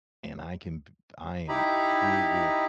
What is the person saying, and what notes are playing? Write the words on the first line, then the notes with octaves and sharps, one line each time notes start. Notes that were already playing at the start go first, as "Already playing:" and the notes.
And I can p p I am frugal
D#4 E4 G4 D#5 A#5 B5